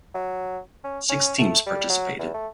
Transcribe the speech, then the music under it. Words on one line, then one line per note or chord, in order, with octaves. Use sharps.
Six teams participated.
F#3
C#4
C#4
A3
G3
F#3
E2
A3